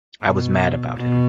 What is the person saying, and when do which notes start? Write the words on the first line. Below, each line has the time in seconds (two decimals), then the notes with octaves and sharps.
I was mad about him.
0.24 B2
0.96 B2